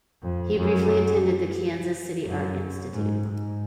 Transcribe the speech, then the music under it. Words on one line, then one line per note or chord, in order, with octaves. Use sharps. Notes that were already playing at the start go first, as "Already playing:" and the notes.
He briefly attended the Kansas City Art Institute.
F2
F#2
F#2
G#2
G#2